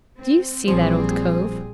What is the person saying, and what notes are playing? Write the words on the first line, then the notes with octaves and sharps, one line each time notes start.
"Do you see that old cove?"
C4
A#1 F3 G3 C4 G#4